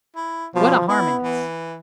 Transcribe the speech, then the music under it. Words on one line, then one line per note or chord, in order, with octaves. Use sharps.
What a harmonist!
E4
B2 F3
B3 E4
E3